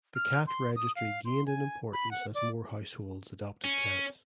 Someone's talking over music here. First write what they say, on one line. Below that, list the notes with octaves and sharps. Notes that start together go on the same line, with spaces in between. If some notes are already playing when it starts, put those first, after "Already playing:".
The cat registry gained in importance as more households adopted cats.
F6
C6
D#6
F5
C6
G#5
B5
F#5
D5
C#4